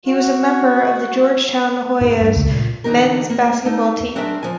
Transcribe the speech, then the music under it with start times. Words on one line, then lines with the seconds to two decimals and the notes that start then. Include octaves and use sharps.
He was a member of the Georgetown Hoyas men's basketball team.
0.06 F#4
2.01 G#2
2.21 G2
2.36 C#2
2.51 A#2
2.84 D3 E3 D#4 G4 A#4
3.30 A#3
3.65 A3 D#4
4.15 F#3 C4 D4 G#4 A#4 E5
4.43 F3 G#5